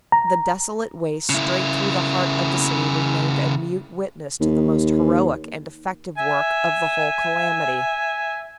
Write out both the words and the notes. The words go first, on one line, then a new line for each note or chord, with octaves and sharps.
The desolate waste straight through the heart of the city remained a mute witness to the most heroic and effective work of the whole calamity.
A#5
C#3 E4
D#2
E5 G#5